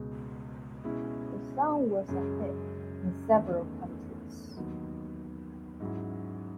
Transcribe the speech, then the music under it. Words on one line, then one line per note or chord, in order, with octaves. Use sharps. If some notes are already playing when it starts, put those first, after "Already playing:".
The song was a hit in several countries.
Already playing: C#2 B2 G#3
B2 G#3 C#4 E4
F#2 C#3 G#3
E2 D#3 A3 C#4
D#2 D#3 F#3 B3 D#4
G#2 F#3 C#4 E4